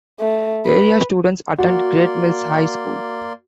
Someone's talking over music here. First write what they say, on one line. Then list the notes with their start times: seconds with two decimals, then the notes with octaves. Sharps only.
Area students attend Great Mills High School.
0.20 A3
0.66 B4
1.59 A#3 F#4 D5 C6